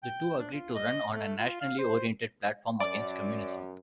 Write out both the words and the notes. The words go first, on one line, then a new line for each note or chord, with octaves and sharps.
The two agreed to run on a "nationally oriented" platform, against communism.
G5
D4
F4
D#5
A3
F4
F5
C5
F#2 D5